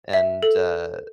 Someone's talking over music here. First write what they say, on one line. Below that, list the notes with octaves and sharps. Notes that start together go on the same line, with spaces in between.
And, uh
E5
A4